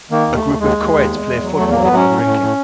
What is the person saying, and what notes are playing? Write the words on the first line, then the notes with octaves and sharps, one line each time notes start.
A group of coeds play football while drinking.
D#3 A#3
D#2
A3
D#2
D#2 G#3
D#2
D#2
E2
E2
F#3
E2 A3
F#3 A#3
B3
F#3 C#4
A2
A2
A2